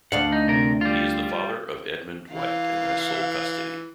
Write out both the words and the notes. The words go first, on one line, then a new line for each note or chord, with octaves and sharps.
He is the father of Edmund White, and has sole custody.
D2 D4 F5 F#5
D#4
C3 A#4
G3 F4
E3 F5